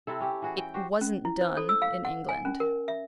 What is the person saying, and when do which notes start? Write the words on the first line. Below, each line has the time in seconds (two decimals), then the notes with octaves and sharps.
It "was n't done" in England.
0.07 C3 C4 E4 A4
0.20 C#4 G4 A4
0.42 E3 F#4 G#4
0.58 G5
0.74 F#4 G4 C5
1.01 C#4
1.25 E4
1.41 C5
1.57 A4
1.69 E6
1.82 F5
2.05 F#5
2.29 G#5
2.45 C#4
2.60 A#4
2.88 E5